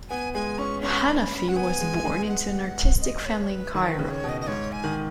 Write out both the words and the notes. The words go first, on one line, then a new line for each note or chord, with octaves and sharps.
Hanafi was born into an artistic family in Cairo.
B3 G#5
G#3 G#5
C#4 C#6
C#4 C#6
B5
B5
B5
F#5
B3 G#5
G#3
G#3
F#5
D#5
C#5
B4
C#5
B4
D#3 C#5
B4
C#3
C#5
B2
D#5
D#5
G#2 C#5
G#5
D#3